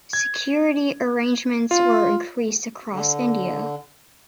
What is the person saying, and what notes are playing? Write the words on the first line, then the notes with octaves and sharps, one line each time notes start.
Security arrangements were increased across India.
G#6
F4
D3